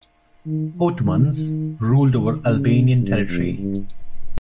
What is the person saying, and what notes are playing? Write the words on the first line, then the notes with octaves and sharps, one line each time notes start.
Ottomans ruled over Albanian territory.
D#3
F3
D#3
D#3
C#3
D#3
C#3
G2
F2
G2